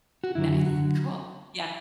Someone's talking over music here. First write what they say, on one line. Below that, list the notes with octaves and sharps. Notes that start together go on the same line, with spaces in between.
Nice, cool, yeah,
F#4
F#2 D3 F#3 E4
F#4
D3 F#3 F#4